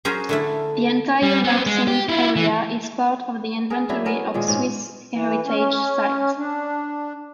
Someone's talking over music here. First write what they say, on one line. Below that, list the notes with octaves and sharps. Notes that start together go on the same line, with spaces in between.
The entire Lausen area is part of the Inventory of Swiss Heritage Sites.
F#3 C#4 G#4 A#4 C5
D3 A3 E4
G3
B3 C4
G#3
G4
E4 F4
E3
G#4 A#4
F#3 A3 D4 E4
B3 C#4 A#4
A#2 D#3 G#3
G#2 C#4
E3
C#4
D4